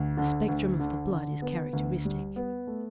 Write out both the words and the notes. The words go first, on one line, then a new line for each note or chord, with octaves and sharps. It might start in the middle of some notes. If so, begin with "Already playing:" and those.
The spectrum of the blood is characteristic.
Already playing: D2
D3
D2
D3
D3
B3
D2
G3
B3
A3